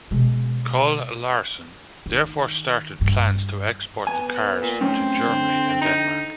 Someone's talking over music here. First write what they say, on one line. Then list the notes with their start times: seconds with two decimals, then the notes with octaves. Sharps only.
Kohl-Larsen therefore started plans to export the cars to Germany and Denmark.
0.11 B2 G#3
2.06 D#3
3.01 G2
4.07 B3 G#5
4.62 A#2
4.81 F#3 A3 C4 C#4
5.27 D3
5.81 D#4